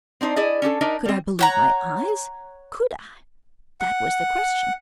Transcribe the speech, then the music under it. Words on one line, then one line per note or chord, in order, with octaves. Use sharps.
Could I believe my eyes?--could I?--that was the question.
C4 D4 D#4 C5
E4 G#4 D5 D#5
C#4 D4 G4 A4
D4 D#4 A#4 D#5 E5
G3 C4
C#5 F#5 A#5
F#5